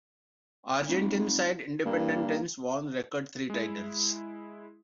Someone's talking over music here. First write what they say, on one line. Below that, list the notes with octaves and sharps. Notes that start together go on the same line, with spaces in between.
Argentine side Independiente won a record three titles.
F1
G2 A#3
G#3 E4